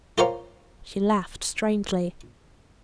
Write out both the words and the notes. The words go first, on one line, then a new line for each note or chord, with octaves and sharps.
She laughed strangely.
F4 G4 A#4 C5 C#5 F5